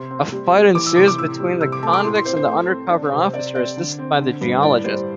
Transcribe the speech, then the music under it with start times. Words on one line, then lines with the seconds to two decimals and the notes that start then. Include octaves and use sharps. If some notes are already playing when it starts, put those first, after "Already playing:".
A fight ensues between the convicts and the undercover officer, assisted by the geologist.
Already playing: C3 C6
0.11 C4
0.32 G3
0.54 G3
0.75 E3 D6
0.86 E6
0.96 C3 D6
1.07 D6
1.18 A2 E6
1.39 G3
1.61 C3 E6
1.72 D6
1.83 A3 A5
1.93 D6
2.04 A2 C6
2.15 C6
2.25 C4 C5
2.37 C5
2.47 A3 C5
2.68 C4
2.90 D4
3.12 C3
3.33 C4 D5
3.55 C4 D5
3.76 D3
3.99 C4
4.19 D3
4.41 G2
4.63 A2 D5
4.84 G3 C5